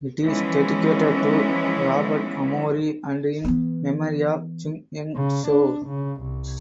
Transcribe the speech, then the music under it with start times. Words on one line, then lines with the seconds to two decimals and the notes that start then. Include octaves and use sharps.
It is dedicated to Robert Amory and in memory of Jung Ying Tsao.
0.23 E3 F3 G#3 B3 C#4
3.45 E3 B3
5.16 C#3
5.48 D4
5.87 C#3
6.22 C2